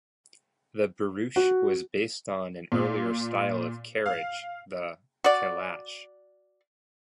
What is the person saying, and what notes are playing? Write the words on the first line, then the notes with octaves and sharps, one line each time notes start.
The barouche was based on an earlier style of carriage, the calash.
F#4
A#2
F5
F#4 D5